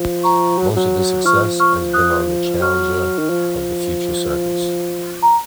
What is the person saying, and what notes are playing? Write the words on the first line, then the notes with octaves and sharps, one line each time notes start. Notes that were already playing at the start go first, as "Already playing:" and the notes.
Most of his success has been on the challenger and future circuits.
Already playing: F3
A#5 C#6
F#3
F#3
F3 C#6 F6
C#6 F6
D#6 F#6
F#3 C#6 F6
D#3
F3
A#5